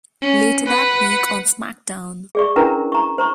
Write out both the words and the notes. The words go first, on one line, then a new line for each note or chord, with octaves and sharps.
Later that week on SmackDown!
C#4
B4 F#5
G#4 D5 C#6
C#4 D4 E4 A#4 B4 A#5
A#5 C#6
C5 A#5 C#6